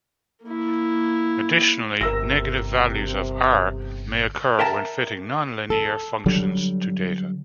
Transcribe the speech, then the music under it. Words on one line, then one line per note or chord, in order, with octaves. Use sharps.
Additionally, negative values of "R" may occur when fitting non-linear functions to data.
A#3 E4
G1 C3 A#4 E6 A#6
A#4 E5 G5 A5 A#5
A4
D3 F#3 G3